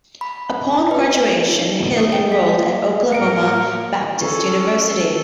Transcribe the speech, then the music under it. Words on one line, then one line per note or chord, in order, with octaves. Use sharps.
Upon graduation, Hill enrolled at Oklahoma Baptist University.
B5
B4
D#4
A#3
G5
B6
A2 G3 A#3 A#4 F5 C#7 D7
C#4 A4
A4